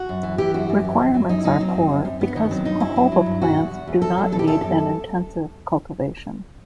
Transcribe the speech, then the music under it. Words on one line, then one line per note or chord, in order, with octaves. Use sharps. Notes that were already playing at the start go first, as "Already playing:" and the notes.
Requirements are poor because jojoba plants do not need an intensive cultivation.
Already playing: F#4
F#2
E3
E3 G4
F#2 F#4
F#2
E3
F#2
F#3
F#2 D#4
E4
F#3 D#4
F#3 C4
F#2
F#2
F#2
G2 B3
D#3
F#3 C4
G2 D#4
G2 E4
F#3
F#3
G2
B2 F#4
E2
E2
E2
E2 A4
F#3
B2 A4
G4
E2 A4
F#2